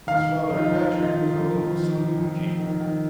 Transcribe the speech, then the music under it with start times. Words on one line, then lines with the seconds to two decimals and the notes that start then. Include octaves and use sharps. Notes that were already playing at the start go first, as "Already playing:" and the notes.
His father Patrick was the local saloon keeper.
0.07 D#3 F5
0.29 D#3
0.50 F2 D#4
0.57 F4
0.65 D#4
0.71 F2
0.91 D#3 F4
1.03 D#4
1.13 D#3
1.24 D#4
1.34 F2
1.55 F2
1.76 D#3
1.97 D#3
2.18 F2
2.39 F2
2.60 D#3
2.81 D#3